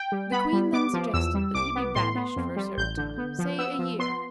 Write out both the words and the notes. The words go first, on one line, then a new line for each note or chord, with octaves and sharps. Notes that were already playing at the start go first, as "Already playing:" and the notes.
The Queen then suggested that he be banished for a certain time, say a year.
Already playing: G5
G3
B3 B5
G3
B3 D6
F3
E2 E6
G3
C2 D6
B3
A2 C6
B3
F2
G3
A1 G6
D3
B3
F3
B3 E6
F3
B3 C6